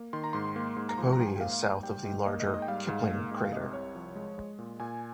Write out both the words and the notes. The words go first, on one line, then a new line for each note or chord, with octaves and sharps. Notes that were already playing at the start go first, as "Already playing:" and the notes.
Capote is south of the larger Kipling crater.
Already playing: A#3
D#3 C6
A#5
G#2 C6
A#3
G#2
A#5
F3 C6
A#5
G#2 G5
G#5
G5
A#3 F5
F5
G#2 G5
G3 G5
G#2
A#3 D#5
D#5
G#2
D#5
G5
G3 F5
G#2
A#3
G#2
G5
F5
C3 D#5
C2 C#5
F3
G#3
G#3
A#2
A#2 G#5